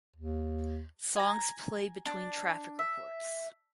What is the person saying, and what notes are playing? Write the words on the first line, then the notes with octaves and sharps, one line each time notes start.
Songs play between traffic reports.
D#2
G#5 A#5
D4
E5